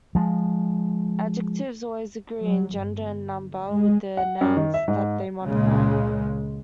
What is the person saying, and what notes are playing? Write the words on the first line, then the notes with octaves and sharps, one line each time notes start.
Adjectives always agree in gender and number with the nouns that they modify.
F3 G#3
F#3
G1
G#3
F#5
F#2
D#3
E5
G#2
C#2 A#2 C#3 G#3